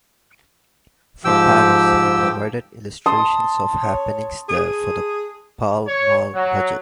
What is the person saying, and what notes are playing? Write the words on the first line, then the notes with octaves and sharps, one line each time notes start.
From Paris he provided illustrations of happenings there for the "Pall Mall Budget".
G#2 F3 G4 G5 E6
A5 C6 D#6
C#5
G#4
C#5
F#3